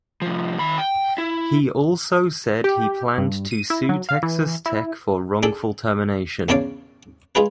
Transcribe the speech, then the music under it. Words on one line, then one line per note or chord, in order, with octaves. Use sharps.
He also said he planned to sue Texas Tech for wrongful termination.
C2 F3
D#3 B5
G5
E4
G4
G2
D#7
E4
F#3
F5
E3
E4
D4 G#4 A4
E2 C#3 D4 C#5 D5 F5
G#3 F4 G#4 B4